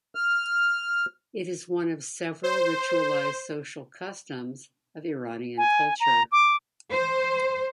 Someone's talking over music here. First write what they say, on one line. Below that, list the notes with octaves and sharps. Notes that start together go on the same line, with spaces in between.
It is one of several ritualized social customs of Iranian culture.
F6
C5
G#5
A#5
D6
C5